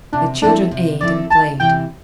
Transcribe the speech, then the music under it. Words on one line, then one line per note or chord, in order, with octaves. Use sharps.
The children ate and played.
C3 D4
F3 C4 D4 E4 A4
C3
F3 C4 E4 A4 D5
D2 A5
C3 E3 G5